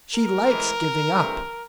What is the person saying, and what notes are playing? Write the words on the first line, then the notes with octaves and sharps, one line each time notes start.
"She likes giving up."
A#4
A2 E3 G#3
G2 E3 A3 C4